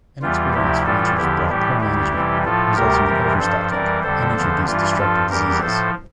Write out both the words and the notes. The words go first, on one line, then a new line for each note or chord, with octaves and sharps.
Inexperienced ranchers brought poor management, resulting in overstocking, and introduced destructive diseases.
E2 E3 G3 F4
D2 C3 F3 E4 G4
A2 E3 G3 F4 A4
E2 D3 F3 E4 G4
A2 E3 G3 E4 G4
D2 D3 G3 E4 G4
F2 C3 E3 G3
A2 F3 F4 A4
D2 C3 G3 G4 A#4
F2 C3 E3 G3
G2 F3 A4 C5
F2 E3 G3 A#4 D5
F2 D3 G3 A4 C5
E2 D3 F3
G2 E3 G3 F4
G2 F3 F4 A4
E2 E3 G3 G4 A#4
A2 F3 A4 C5